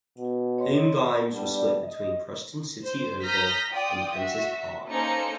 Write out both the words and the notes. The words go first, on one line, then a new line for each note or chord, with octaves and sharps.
Home games were split between Preston City Oval and Princes Park.
B2
C#5 D#5 C6
G3 B3 D4
D#5
C5
A#5 D#6 F6 G6 A#6 B6
F4 D5 G5 D#6
F#4 E5
A#3 C#4 D#4 A4 C5 C#7